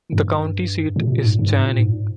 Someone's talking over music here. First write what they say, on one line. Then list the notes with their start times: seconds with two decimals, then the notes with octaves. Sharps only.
The county seat is Channing.
0.12 G2
0.96 A#2
1.04 C3
1.10 A#2
1.24 G#2
1.39 G2
1.51 G#2
1.65 A#2
1.78 G#2